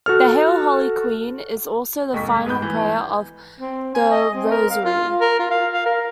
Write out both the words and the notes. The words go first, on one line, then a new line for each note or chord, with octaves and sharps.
The "Hail Holy Queen" is also the final prayer of the Rosary.
F#4 A4 F6
F1 D#2 G#2 C#6 B6
G#2 B3 B5 G6
E3
C4
G#5
D#5
C4
A#4
F5
F4
A#4
F4
F5
F5
A#4